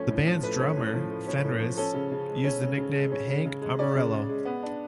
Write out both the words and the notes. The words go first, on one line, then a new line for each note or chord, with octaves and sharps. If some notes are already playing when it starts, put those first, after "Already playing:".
The band's drummer, Fenriz, used the nickname "Hank Amarillo".
Already playing: A2 F3 A3 C#4
A2
F3
A3 B4
C#4
A2
F3
A3
C#4
A2
F3
C#4 A4
C#3
C#3
G#3
C#4
C#3
C#3
G#3
C#4
C#3
C#3
G#3
C#4 D5
C#3
C#3
G#3
B3
D4